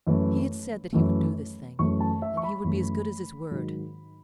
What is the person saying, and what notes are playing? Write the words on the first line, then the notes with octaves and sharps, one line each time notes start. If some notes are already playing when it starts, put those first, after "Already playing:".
He had said that he would do this thing, and he would be as good as his word.
F#2 E3 A3
F#2 E3 A3
F#2 E3 A3 C#6
A5
E5
C#6
B5
F#2 E3 A3
G#2 D#3 F#3